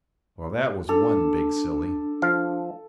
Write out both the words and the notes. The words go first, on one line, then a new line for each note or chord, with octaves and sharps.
Well, that was one big silly.
D4 A4
F3 F5